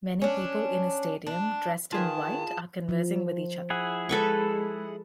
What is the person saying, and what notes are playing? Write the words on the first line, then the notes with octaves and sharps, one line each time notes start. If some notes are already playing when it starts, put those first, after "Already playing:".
Many people in a stadium dressed in white are conversing with each other.
C#4 D4
D4
D#3 F4 G#4 B4 A5
F3
E4 G#4 F#5
G#3 A4 B4 C#6